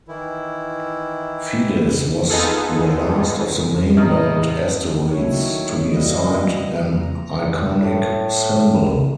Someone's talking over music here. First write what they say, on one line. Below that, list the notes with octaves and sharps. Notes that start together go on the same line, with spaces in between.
Fides was the last of the main-belt asteroids to be assigned an iconic symbol.
D#3 E3 E4
B3 D#4 F4 G#4 A4
A2 D#5 A#5 F6
D#3 F#3 A3 E4 C#5
B2 G3 A#3 E4 D#5
A#5
A2